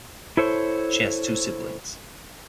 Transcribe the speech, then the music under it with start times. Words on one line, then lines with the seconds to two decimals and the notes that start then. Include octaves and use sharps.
She has two siblings.
0.37 E4 A4 C5 C#5